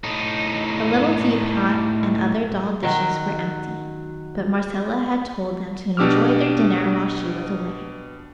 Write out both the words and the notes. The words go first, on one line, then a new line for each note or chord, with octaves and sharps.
The little teapot and other doll dishes were empty, but Marcella had told them to enjoy their dinner while she was away.
A2 D#4
D#3 F#3
B2 D4 G4 D6 E6 F6